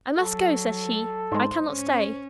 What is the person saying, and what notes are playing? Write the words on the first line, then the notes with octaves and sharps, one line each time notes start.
'I must go,' said he, 'I cannot stay.
F#3 A4
G#2 G#3 C5
C#4